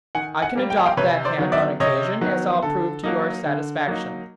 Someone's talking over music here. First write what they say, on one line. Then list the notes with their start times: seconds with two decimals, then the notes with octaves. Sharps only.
"I can adopt that hand on occasion, as I'll prove to your satisfaction."
0.15 D#3 F#5 G#5
0.42 F#5 G#5
0.55 G3 A#3
0.70 G5
0.78 G#5
0.85 F5 G5
0.97 C3 B4 C#5
1.25 C5 D5
1.38 D#3 F#3 B3
1.52 D5 E5
1.80 C3 C#5 D#5
2.21 D#3 F#3 B3
2.63 D3 A4
3.04 F#3 A#3 D#4
3.46 D3
3.87 F#3 A#3 D#4